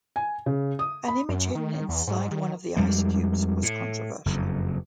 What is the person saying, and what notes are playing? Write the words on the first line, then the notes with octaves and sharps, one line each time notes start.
An image hidden inside one of the ice cubes was controversial.
G#5
C#3
D#6
B5
F#2
D#3
E2
G#2
D#3
F2 G3 G#3
A2
F#1 F2